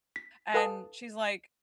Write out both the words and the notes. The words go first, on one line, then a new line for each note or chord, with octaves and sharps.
and she's like,
B6
A4 B4 F5 G#5 A5 D#6